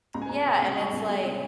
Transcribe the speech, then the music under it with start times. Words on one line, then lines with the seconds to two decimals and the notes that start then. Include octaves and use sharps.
Yeah, and it's like
0.14 C#2 A#5
0.22 G#5
0.30 C#2 A#5
0.46 C3 D#6
0.62 C#2
0.77 G3 C#6
0.93 C#2
0.98 G#5
1.09 G3 G#5
1.19 G5
1.24 C3